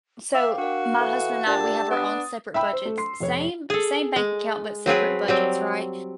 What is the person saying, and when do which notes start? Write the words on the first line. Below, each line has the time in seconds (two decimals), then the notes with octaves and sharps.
So, my husband and I, we have our own separate budgets. Same same bank account, but separate budgets, right?
0.34 E5 F5 G5 D6
0.58 D4 F#4 A#4
0.99 E3 A4
1.46 A#2 D4 G4 D5 F#5 A5
1.61 E6
1.91 B3 D4 D#6 A6
2.54 E5 G5 B5 E6
2.73 C5
2.85 A3
2.98 C6 C7
3.20 F1 C#5
3.70 G#4 A4
4.16 G#3
4.86 F#3 C4 G#4 B4
5.28 F#3 G3 C4